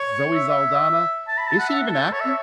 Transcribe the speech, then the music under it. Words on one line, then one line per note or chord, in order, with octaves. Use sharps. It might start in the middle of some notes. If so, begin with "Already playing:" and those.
Zoe Saldana, is she even acting?
Already playing: C#5
E5
E5
A5
B5
A5
F#5
E5
A4
C#5
E5